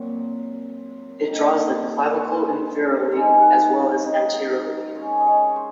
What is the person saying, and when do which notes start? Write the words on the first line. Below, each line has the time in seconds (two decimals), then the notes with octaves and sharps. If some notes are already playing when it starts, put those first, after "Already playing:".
It draws the clavicle inferiorly as well as anteriorly.
Already playing: A#2 F#3 C4
1.27 D#3 A#3 D#4
2.14 C6 C#6
3.11 D#3 G#3 D#4 A#5
3.41 F#5
4.03 D#5
4.95 C#3 G#3 C#4 C#5
5.20 D#5
5.26 C#5
5.56 C5